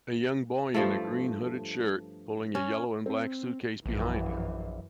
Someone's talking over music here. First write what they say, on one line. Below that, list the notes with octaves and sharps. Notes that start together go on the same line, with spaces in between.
A young boy in a green hooded shirt pulling a yellow and black suitcase behind him.
G2 F3 A3
C#4
C4
A#1 F#2 E3